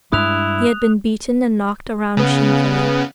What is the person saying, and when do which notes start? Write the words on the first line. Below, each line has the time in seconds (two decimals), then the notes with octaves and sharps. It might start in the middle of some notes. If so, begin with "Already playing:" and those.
He had been beaten and knocked around shamefully.
0.12 G2 G#3 D4 E4 D#6 F#6 F7
2.17 C#3 B3